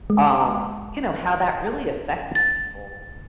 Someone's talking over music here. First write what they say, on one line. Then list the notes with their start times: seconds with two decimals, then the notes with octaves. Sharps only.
um, you know, how that really affects people,
0.10 G#3
2.35 A6